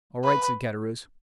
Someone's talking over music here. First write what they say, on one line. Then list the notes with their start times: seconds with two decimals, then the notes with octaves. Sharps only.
"All right!" said Caderousse.
0.24 B4